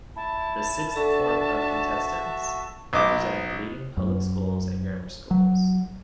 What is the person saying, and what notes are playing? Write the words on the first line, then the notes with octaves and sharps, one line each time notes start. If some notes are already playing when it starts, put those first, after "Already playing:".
The sixth form contestants represented leading public schools and grammar schools.
E4 A5
D4 F#4 A4 E5
B1 D#5 D6
F#2
F#3